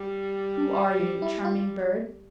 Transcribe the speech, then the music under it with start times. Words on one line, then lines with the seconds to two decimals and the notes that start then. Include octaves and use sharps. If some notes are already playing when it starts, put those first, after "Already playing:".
"Who are you, charming bird?"
Already playing: G3
0.99 F3
1.22 E4
1.45 F4